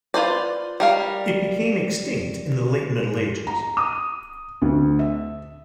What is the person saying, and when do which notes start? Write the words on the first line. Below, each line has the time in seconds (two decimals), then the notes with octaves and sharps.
It became extinct in the Late Middle Ages.
0.14 F4 B4 C5 D5
0.80 G3 A#4 F5
3.47 A#5
3.77 D#6
4.62 D2
4.99 E5